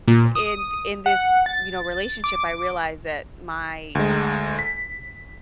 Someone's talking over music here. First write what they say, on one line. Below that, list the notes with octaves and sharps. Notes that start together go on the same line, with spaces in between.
in in this, you know, relationship, I realized that my um
A#2
D#6
F#5
A6
D6
D2 G#3
B6